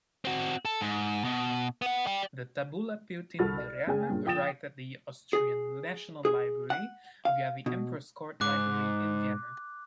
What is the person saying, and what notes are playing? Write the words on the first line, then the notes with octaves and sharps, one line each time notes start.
The "Tabula Peutingeriana" arrived at the Austrian National Library via the Emperor's Court Library in Vienna.
C4 F#4
A4
G#2
B2
B3 F#5
D5 G5
C2 F#4 A4 B5 F6 A6
D5
C#3 G#4 G5 G#5
G2 A#2
F3 G5 D#6 A6 E7
G#4
G#4
F#5
F5
B2
G#2 D6 F#6